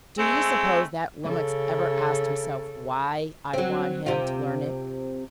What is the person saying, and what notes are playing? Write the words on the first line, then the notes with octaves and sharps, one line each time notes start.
Do you suppose that lummix ever asked himself WHY I want him to learn it?
G#3 A3 C4
C#3 A4
F#3 C4
C3 F4